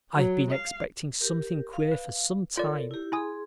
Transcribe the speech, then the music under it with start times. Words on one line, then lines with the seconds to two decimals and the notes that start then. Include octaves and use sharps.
I've been expecting something queer for some time.
0.13 F#3
0.50 F5
1.21 G4 A#4
1.73 F5
1.92 B4
2.57 F4 A4 A#4 C#5 D5
2.91 E4 G4
3.12 E4 G#4 G#5 C6 D#6